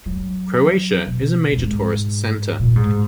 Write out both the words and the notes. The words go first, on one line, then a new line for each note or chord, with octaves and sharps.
Croatia is a major tourist centre.
F#3
B2
F#2
G#2
A#2
G#2